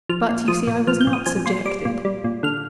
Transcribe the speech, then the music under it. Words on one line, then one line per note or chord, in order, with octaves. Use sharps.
But you see I was not subjected.
F3 F6
A#2
F3 D#6
A#2
F3 F6
G6
A#2
D#6
F3 G#5
A#2 C6
G3 D6
A#2
G3
A#2
D3 F6